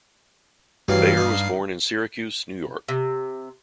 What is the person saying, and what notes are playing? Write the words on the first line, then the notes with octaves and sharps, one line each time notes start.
Bayer was born in Syracuse, New York.
G2 E3 F#3 G3 F5 C7
D#4 D6
C3